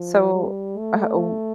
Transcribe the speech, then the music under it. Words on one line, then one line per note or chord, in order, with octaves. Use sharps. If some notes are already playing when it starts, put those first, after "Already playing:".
so, uh oh,
Already playing: F3
G3
A3